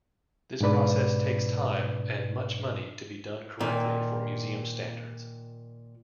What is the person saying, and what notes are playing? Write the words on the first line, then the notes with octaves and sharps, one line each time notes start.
This process takes time and much money to be done correctly for museum standards.
G#2 B2 D4 B4 D5
A#2 D#3